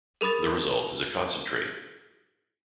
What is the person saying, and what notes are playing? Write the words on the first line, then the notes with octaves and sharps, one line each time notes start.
The result is a concentrate.
G#4 A#4 B5 D#6 A6